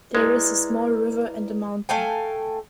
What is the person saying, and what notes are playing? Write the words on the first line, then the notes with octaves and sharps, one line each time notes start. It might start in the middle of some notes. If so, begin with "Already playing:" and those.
There is a small river and a mountain.
G#3 E4 B4 D5
A3 F5 G5 G#5